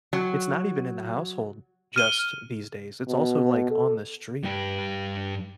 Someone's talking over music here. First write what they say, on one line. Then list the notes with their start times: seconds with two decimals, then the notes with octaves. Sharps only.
It's not even in the household, just these days, it's also, like, on the street.
0.13 F#3
1.96 F6 D#7 G7
3.08 B2
3.71 A4
4.43 G2 G4